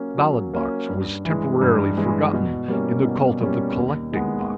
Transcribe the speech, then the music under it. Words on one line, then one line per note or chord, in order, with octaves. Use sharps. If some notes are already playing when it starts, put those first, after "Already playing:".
The ballot- box was temporarily forgotten in the cult of the collecting-box.
Already playing: F#3 A#3 C#4
F#3
A#3 C#4
G2
E3 G#3
G2
E3 G#3
B2
G3 A#3 C#4
B2
G3 A#3 C#4
D#2
D#3 G#3 B3